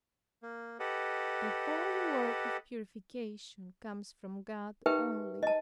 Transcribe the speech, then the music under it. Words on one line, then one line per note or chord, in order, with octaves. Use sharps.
The whole work of purification comes from God only.
A#3
G4 A4 B4 D#5 F#5
D#4 G4 A#4 B4 E5 G5
D#5 A5